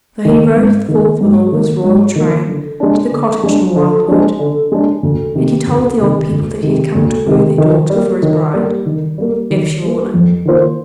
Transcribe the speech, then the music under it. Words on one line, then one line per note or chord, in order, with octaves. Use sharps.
So he rode forth with all his royal train to the cottage in the wild wood; and he told the old people that he had come to woo their daughter for his bride--if she were willing.
D#3 A#3
G#2
D#3 A#3
G#2
D#3 A#3
G#2
D#3 A#3
D3
G#3 D4
D3
G#3 D4
D3
G#3 D4
D3
G#3 D4
D2
C3 D#3
D2
C3 D#3
D2
C3 D#3
D2
C3 D#3
D#3
G3 A#3
D#3
G3 A#3
D#3
G3 A#3
D#3
G3 A#3
F2
D#3 A#3 F4 C5